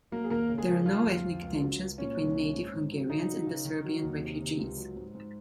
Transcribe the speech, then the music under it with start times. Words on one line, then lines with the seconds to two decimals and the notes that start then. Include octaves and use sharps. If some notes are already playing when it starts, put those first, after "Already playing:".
There are no ethnic tensions between native Hungarians and the Serbian refugees.
0.12 F#3 A#3 A#4
0.24 G#4
0.30 D#2 A#3 A#4
0.49 C#3
0.58 G#3 G#4
0.68 C#3
0.86 F3 F4
1.06 F2
1.24 F2
1.42 C#2
1.61 F#3
1.79 C#2
1.98 A#2 C#4
2.17 C2
2.35 A#2
2.54 G#2
2.73 G#2
2.92 F#3
3.10 C#3 D#4
3.29 F#3
3.47 C#3
3.65 D#3
3.84 F#3
4.03 D#2
4.22 C3
4.40 C3
4.59 C#2
4.77 F#3
4.96 G#2
5.15 G#2